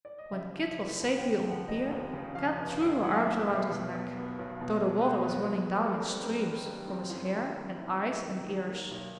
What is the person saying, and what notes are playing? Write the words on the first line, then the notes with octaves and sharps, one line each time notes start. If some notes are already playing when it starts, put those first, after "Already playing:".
When Kit was safely on the pier, Kat threw her arms around his neck, though the water was running down in streams from his hair and eyes and ears.
D5
D#5
C#3 E5
F3
F1
D#2
G5
C#3
G5
F3
F#5
F1 D#5
D#2
C#3
F3 F5
F1
D#2
F#3 F#5
F5
E5
B3
E5
B1
E5
B2
F#3
B3
B1
B2
F#3
B4
B3 C5
B1
B2
G3
A4
A#4
C4
B4
F#2
A#4
D#3 B4
G3
C4
F#2 F4
D#3
G3
C4 E4
F#2
D#3
F#3 D#4
A#3
B1